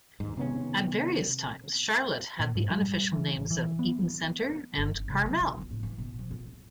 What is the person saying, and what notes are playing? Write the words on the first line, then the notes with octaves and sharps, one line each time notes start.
At various times Charlotte had the unofficial names of Eaton Centre, and Carmel.
D#2 G#2
C3 D#3 B3 C#4
A#2
G#2
G3
E3
A1
E3
B3
G1
D#3
C3
F#3
E4
D2
A2
E3
B2
F3
F4